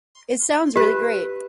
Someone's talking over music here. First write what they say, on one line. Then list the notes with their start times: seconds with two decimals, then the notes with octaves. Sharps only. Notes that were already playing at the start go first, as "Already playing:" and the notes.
It sounds really great.
0.76 G4 B4 E5